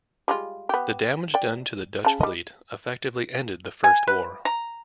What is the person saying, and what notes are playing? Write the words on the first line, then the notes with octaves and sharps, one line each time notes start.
The damage done to the Dutch fleet effectively ended the first war.
G3 G#3 F4
B3 G4
D5 G5
C#3 A5
G3 D#5
G#5
B4
A#5